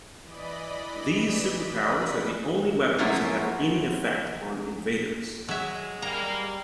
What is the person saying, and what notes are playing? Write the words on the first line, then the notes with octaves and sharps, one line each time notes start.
These superpowers are the only weapons that have any effect on Invaders.
E3 D5 D#5 B5
F3 F#3 A#3 C#4 E4
F#3 G#3 E5
G3 A#3 A#5